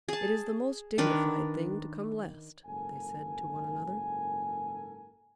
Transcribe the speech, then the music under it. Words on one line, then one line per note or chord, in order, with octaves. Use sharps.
"It is the most dignified thing to come last!" they said to one another.
G#4 A5
D#3 D4 A#4 B4
F#1 G#2 A4 A#4 G#5